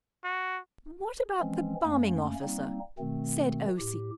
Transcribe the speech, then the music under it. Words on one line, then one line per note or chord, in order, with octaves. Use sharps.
"What about the Bombing Officer?" said O.C.
F#4
E3 F3 G#3 C4 C#4
F#2 A3 A#3 C#4
G3 A#3 C4 D#4
B2 D#3 A3 C4
A2 G4